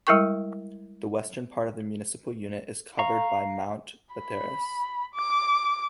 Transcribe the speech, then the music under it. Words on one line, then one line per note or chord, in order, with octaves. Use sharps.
The western part of the municipal unit is covered by Mount Pateras.
G3 G#3 E4 A#4 G5 C#6
F5 A#5 C#6
B5
D6